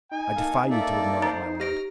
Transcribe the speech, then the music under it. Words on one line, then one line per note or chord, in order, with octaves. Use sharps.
"I defy you to ignore it, my lord."
D#4 G#5
A#3 A4 F5
A#3 A4 D5 E5
C5 A#5 A6 D7
G4 A#5 F6 A#6 D7